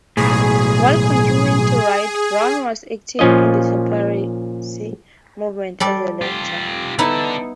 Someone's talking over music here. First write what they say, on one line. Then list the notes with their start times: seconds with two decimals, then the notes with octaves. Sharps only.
While continuing to write, Brown was active in the Temperance movement as a lecturer.
0.17 B1 A2 G#4
3.19 A#2 F3 C#4 F4 D#5
5.80 G3 A4 D5
6.21 F4 G4
6.99 D3 B3 D#4 E4 A4